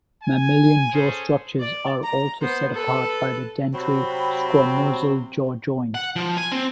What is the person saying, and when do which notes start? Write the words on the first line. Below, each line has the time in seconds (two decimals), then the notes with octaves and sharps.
Mammalian jaw structures are also set apart by the dentary-squamosal jaw joint.
0.23 G#5
0.94 C#4 G#4 A4 C5
1.60 D5
2.03 A#5
2.41 B3 C5
2.73 A4 B4
3.74 C3 F#3 C4 B5
5.94 F#5
6.16 F3
6.37 G#5
6.52 C4